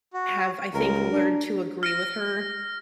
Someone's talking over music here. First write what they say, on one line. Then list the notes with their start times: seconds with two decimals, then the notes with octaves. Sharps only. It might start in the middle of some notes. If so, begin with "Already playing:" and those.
have, I think, learned to agree with her,
0.13 F#4
0.74 C#2 A#4
1.11 D4
1.83 F6 A#6